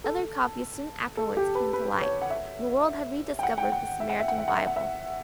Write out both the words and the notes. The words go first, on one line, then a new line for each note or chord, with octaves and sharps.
Other copies soon afterwards came to light: the world had rediscovered the Samaritan Bible!
A4
A4
G4
B4
B4
C#5
F#5
E5
G5
F#5
G5
F#5
E5
F#5
E5
F#5
E5
F#5
E5
F#5
E5